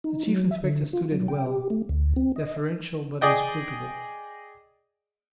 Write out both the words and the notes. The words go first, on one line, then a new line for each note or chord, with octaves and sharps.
The Chief Inspector stood it well, deferential but inscrutable.
D#4
F#3
E5
D3
F4
F#3
G5
G4
A3
D2
C4
D#5
G#4 D5 D#5 G5